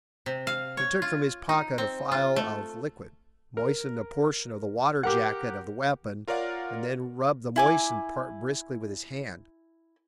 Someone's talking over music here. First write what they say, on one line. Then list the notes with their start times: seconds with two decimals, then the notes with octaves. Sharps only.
He took from his pocket a phial of liquid, moistened a portion of the water-jacket of the weapon, and then rubbed the moistened part briskly with his hand.
0.26 C3
0.47 F5
0.77 C#5
1.02 F4
1.49 D#4
1.78 C4
2.12 F4
2.36 A3
3.57 A#4
5.03 G4 A#4 F#5
6.28 F4 A#4 C#5 D5 F5 F#5
7.56 E4 G#5 D6